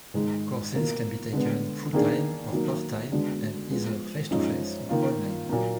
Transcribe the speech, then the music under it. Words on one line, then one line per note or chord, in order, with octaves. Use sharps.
Courses can be taken full-time or part-time and either face-to-face or online.
G#2 D#3 G#3 D#4
B2 A#3 F4 A#4
D3 G#3 B3
D#3 A#3 D4 G#4
D#3 F#3 A#3
D3 G#3 B3 D4 F#4
F3 G#3 B3
F#2 F3 G#3 D#4
D#3 A#3 F4
A#2 F#3 A#3